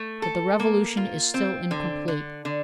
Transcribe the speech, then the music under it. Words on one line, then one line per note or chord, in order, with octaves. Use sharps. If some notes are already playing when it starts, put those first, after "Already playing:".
But the revolution is still incomplete.
Already playing: A3
A4
A#3
F4
C4
D3
D3
D3